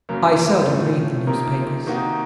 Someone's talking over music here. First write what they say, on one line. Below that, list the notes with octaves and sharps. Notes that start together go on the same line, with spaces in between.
"I seldom read the newspapers."
F#2 C#3 F#3 A#3
A2 F3 A3 C#4
C3 F3 A#3 D#4 A#4
C3 D#3 A#3 D#4 F#4